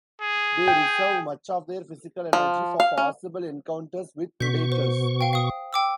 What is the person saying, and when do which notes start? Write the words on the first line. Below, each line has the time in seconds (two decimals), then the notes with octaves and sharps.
They reserve much of their physical energy for possible encounters with predators.
0.21 G#4
0.68 G5
2.33 F3
2.80 F5
2.98 C#4
4.41 B2 C#6 G6 B6
4.72 C5
5.21 F5 G5
5.33 F5 D#6
5.73 G5 D6 E6